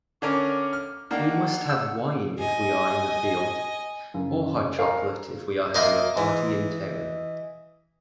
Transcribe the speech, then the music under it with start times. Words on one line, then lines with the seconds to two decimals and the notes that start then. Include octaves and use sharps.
We must have wine if we are in the field, or hot chocolate if we are having a party in town.
0.22 D3 C#4 A#4 D6
0.73 F6
1.11 D#3 A#3 D4 F#5
1.69 E6
2.38 D#5 G#5
4.14 F#2 C#3
4.78 A4 A#4 C5 F5 G#5 A#5
5.75 A#3 F4 D#5 E5
6.17 E3